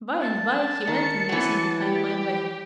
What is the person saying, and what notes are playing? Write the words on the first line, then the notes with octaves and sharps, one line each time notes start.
By-and-by he went and listened behind my back.
A5
D#3 C#7
E3 F#3
G4